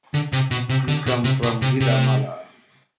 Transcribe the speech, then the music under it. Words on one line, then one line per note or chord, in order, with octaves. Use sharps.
We come from Vilamalla.
D3
C3
B2
C3
D3
B2
C3
B2
C3
C3